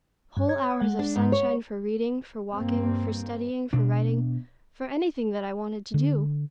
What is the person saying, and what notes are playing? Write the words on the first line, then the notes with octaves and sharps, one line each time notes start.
Whole hours of sunshine for reading, for walking, for studying, for writing, for anything that I wanted to do!
G2
C#5 G#6
G#3 F#5
D4
G#2
C#5
G2 A#3 C4
B2 D4
D3